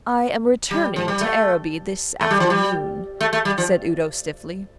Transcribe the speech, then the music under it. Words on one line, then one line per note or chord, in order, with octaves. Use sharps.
"I am returning to Araby this afternoon," said Udo stiffly.
G3
F3
G3
A3
A3
G3
F3
G3
A3
A3
G3
F3